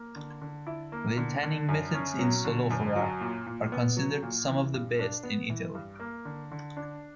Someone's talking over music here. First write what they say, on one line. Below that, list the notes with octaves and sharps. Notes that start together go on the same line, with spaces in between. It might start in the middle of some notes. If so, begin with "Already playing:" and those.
The tanning methods in Solofra are considered some of the best in Italy.
Already playing: A#3
D3
D3
E4
A#3
D3
D3
F#2
C#4
F#3
D3
F#2
F#3
A#2
A#2
B3
F#3
A#2
E3
G2
D4
B3
E3
G2
A#3
D3
D3
D4